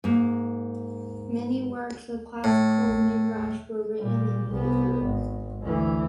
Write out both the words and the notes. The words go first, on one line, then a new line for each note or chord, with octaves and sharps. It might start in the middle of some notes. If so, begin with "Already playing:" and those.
Many works of classical midrash were written in Hebrew.
G#2 A#3
A2
A#2 G3
C2 B3
G#1
D2 E3